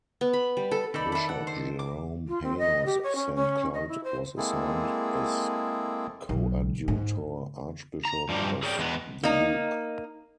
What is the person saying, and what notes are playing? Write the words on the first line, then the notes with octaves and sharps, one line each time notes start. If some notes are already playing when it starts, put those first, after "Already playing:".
Bishop Jerome Hanus of Saint Cloud was assigned as Coadjutor Archbishop of Dubuque.
B3
B5
G3
A4
D#3 D#4 A4 D5 B5
E5 B5
F#5
C5
D6
F4
C4
D#5
G4
C#5
C#4
C#4
D#5
E4
C5
G#3 A#3 C4 E4 G#4 A4
B1
G#2
A#5
G2 F3 G3
G#4 A#4 C#5 D5 F5 G5
E2 G#3 B3
A#3 D#4